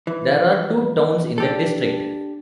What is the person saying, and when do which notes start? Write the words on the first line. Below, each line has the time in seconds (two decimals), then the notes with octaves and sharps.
There are two towns in the district.
0.07 E3
1.38 D4 G4 A4